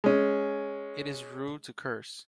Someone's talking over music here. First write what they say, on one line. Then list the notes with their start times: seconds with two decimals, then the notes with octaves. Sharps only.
It is rude to curse.
0.04 G#3 C#4